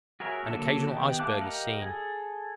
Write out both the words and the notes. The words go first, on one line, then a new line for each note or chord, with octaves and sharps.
An occasional iceberg is seen.
F#4 G#4 A#4 C#5 E5
D3 F#3 A#3 F#4 A4
D#3 B3 D#4 G4
A3 F5 A5 D6 F#6
G4 A#4 D#5 F5 F#5
G#4 A4